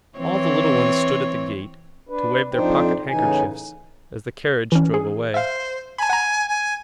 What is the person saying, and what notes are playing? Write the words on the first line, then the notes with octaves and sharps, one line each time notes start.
All the little ones stood at the gate, to wave their pocket-handkerchiefs as the carriage drove away.
E3 C4 C#5
D4 B4
F2 F3 D4 D#4 C5 G5
A2 C#3 E3 D#4 G#5
E3 C#4
G#4
C5 E5 F5
G#5 A5 B5
F#5 A#5
G#5